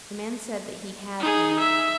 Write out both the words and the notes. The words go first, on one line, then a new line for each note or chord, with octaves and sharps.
The man said that he had heard.
D#4 G#4
E5